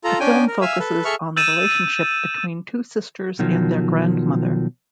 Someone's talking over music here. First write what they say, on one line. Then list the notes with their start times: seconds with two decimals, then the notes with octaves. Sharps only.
The film focuses on the relationship between two sisters and their grandmother.
0.04 F4 A4 A#5
0.20 C#4 D4 G5 G#5
0.47 A#4
0.61 E5 F5 G#5 E6
0.80 A4 B4
1.05 G#4 A4 E5 C#6 F6
1.36 E6 G6 A6 D#7 E7
3.39 B2 D#3 F3 F#3